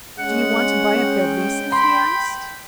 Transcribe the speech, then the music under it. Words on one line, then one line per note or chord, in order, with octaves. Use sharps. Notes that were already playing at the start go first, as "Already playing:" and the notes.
"Do you want to buy up their leases?" he asked.
G#3 C#4 F#5
G5
B5 C6